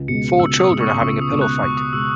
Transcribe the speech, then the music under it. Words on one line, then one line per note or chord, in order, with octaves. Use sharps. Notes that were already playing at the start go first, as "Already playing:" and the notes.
Four children are having a pillow fight.
Already playing: C#2
B2 G#3 C#7
C#2 E6
D#6
B2 G#3
C#6
C#2 C#6
D#6
B2 G#3
F#6
C#2 C#6
D#6
B2 G#3 E6